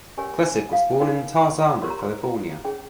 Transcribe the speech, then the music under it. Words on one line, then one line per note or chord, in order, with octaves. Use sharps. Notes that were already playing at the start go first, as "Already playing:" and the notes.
Klesic was born in Tarzana, California.
C#4 G4 A#4 C#5 G#5
G#5
F5
D#4 A#4 C#5 G5
C#6
C6
A#5
G4 A#4 C#5 C6
A#5
C6
A#5
C#4 G#4 C#5 G5